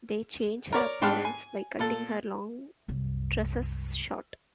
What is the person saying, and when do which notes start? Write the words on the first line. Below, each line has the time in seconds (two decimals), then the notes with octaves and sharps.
They change her appearance by cutting her long tresses short.
0.73 A#4 C#5 D5
1.02 G#2 D4 G5 A5 F6
1.25 G#5
1.79 A#2 A4
2.88 C2 F#2